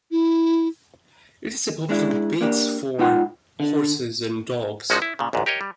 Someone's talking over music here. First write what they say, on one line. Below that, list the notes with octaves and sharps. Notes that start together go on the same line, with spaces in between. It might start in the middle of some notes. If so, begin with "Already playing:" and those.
It is a popular beach for horses and dogs.
E4
G#3 D4 E4
A#3 D4 G4
G#2 D#4 F4 F#5 G5 C6
D3
A#1 F3 G#3 C#4 D#4 F#4
E4
A#2 C#3
A1 D2 G#2
G4 A#4 C#5 D#5
G3